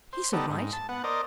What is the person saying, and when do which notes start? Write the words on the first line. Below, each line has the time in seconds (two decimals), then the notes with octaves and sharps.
He's all right.
0.13 C5
0.33 G3 B3 D#4 A4
0.49 G#2
0.73 A5
0.89 B3 F#5
1.04 A#4 C5 D5 D#5